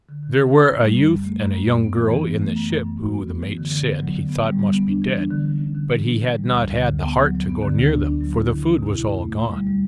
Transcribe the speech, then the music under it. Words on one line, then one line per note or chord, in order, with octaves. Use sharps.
There were a youth and a young girl in the ship who the mate said he thought must be dead, but he had not had the heart to go near them, for the food was all gone.
D3
D3
C#4
C#4
F#2
G3
F#2
F#2
A3
F#2
F#2
F#2
B3
E3
E3
B3
A3
F#2
F#2
F#2
F#4
B3
B3
E3
D3
D3
B3
F#3
D3
B3
G3
G3
B3
D4
E3
D4
D3
D3
C#4
D3
E3
D4
E3
G3
D2
D2
D3
D2
B3
F#3
F#3
B3
D3
D2
D4
D4
F#3
E4
D3
C#4
B2
E4
E4
A3
E2
G3
G3